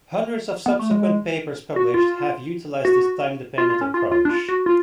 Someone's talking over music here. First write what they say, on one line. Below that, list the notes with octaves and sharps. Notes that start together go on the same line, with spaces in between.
Hundreds of subsequent papers published have utilized this time-dependent approach.
B3
A3
G#3
F#4
F4
F#4
F4
F4
C#4
F4
F4
D4
F4
F#4
F4